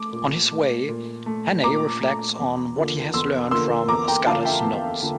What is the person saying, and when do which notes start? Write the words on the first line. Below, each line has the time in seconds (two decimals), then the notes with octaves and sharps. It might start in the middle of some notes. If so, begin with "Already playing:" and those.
On his way, Hannay reflects on what he has learnt from Scudder's notes.
Already playing: A3 D6
0.13 A#2
0.51 A3
0.89 A#2
1.26 A3
1.64 A#2 A#5 D6
2.01 A3
2.39 E2
2.76 D3 F3 A#3
3.14 E2 C6 E6
3.51 D3 F3 A#3 C6 E6
3.88 E2 A#5 D6
4.08 G5 A#5
4.26 D3 F3 A#3 F5 A5
4.45 E5 G5
4.64 E2
5.02 D3 F3 A#3